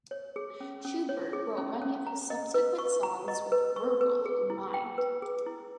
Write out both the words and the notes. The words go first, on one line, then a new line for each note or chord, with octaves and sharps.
Schubert wrote many of his subsequent songs with Vogl in mind.
C#5
G#4
C#4
C#4
C#5
G#4
C#4
C#4
A#5
D#5
B4
C#6
A#5
D#5
B4
C#6
B4
G#4
E4
G5
B4
G#4
E4